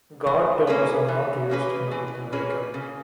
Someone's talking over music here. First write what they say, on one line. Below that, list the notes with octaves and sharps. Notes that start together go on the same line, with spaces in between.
Guard tones are not used in North America.
E3
A#3 C#4 G#4 B4
E3
A#3 C#4 G#4 B4
E3
A#3 C#4 G#4 B4
C#3